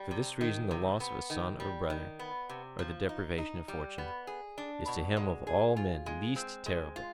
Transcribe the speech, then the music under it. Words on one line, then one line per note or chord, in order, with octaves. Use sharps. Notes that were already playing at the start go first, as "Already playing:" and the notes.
And for this reason the loss of a son or brother, or the deprivation of fortune, is to him of all men least terrible.
Already playing: G3
C3
D#3
C3
B3
D#3
G3
D#3
B3
C3
F3
D#4
D#4
G3
B3
G#4
D4
B2
G#3
G#4
F4
G#3
C4
G#3
F4